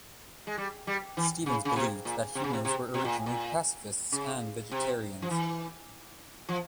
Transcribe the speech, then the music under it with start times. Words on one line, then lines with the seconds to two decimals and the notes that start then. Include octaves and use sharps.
Stevens believed that humans were originally pacifists and vegetarians.
0.47 G#3
0.58 G3
0.87 G3
1.17 E3
1.46 C#3
1.65 C#3
1.76 C3
2.05 A#2
2.35 C3
2.44 C#3
2.53 C3
2.65 C3
2.94 C3
3.05 A#2
3.26 A#2
4.12 C#3
4.72 C3
5.22 F3
5.30 E3
6.49 F3